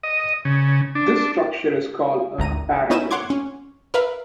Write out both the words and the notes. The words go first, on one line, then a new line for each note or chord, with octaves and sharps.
This structure is called a "comparator".
D#5
C#3
D4
G#1 D2 A#5 D#7
B3 C#4 D#4 E4 D#7 E7
C#5 F#5 C6 D6 G#6
C#4
A#4 B4 E5 F5